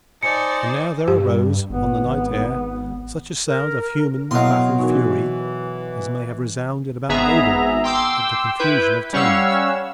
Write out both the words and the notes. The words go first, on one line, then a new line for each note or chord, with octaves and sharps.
And now there arose on the night air such a sound of human baffled fury as may have resounded about Babel at the confusion of tongues.
D#4 C5 D5 G#5 A5 C#7
G2 G4
G#1 B3
A#4
B2 F#3 A3 E4 G#4 D#5 F5 C6
E3 D#4 F#4 A#4
G#1 B3 G#4 E5 A#5
G5 C6 D6 E6
E4 B4 G6
G3 C#4 C#5 F5 F#5 E6